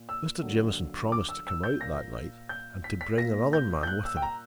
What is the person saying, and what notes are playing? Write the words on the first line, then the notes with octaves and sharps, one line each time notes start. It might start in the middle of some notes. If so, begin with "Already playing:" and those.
Mr. Jamieson promised to come out that night, and to bring another man with him.
Already playing: A#2
E6
D3 F#3 A#3
D6
E6
E6
G6
A#2 A#3 A#6
G6
B6
B6
A#2 A#3 A#6
G6
G6
F#6
E6
G5
A#5